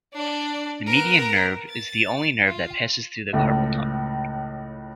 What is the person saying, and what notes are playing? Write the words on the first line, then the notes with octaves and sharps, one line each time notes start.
The median nerve is the only nerve that passes through the carpal tunnel.
D4 D5
B3 A#4
A6
F4
C#2 A2